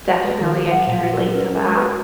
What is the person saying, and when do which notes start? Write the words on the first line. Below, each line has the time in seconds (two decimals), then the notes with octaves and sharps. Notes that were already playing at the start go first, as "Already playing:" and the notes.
Definitely I can relate to that.
0.08 F#4 C#5
0.24 G#3 B4
0.40 D#3 A#4
0.55 F#4 G#4
0.71 F#3 F#5
0.87 A#2 F5
1.04 F#4
1.13 F#3 A#4
1.29 A#4
1.34 C#4 B4
1.50 C#4
1.55 A#4
1.65 G#3
1.76 B4
1.82 F#4